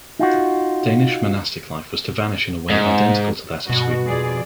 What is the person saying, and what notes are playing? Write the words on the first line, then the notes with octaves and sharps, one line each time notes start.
Danish monastic life was to vanish in a way identical to that of Sweden.
D#4 F4 F#4
G#2
G2 B2 F#4
F2 G#4 D5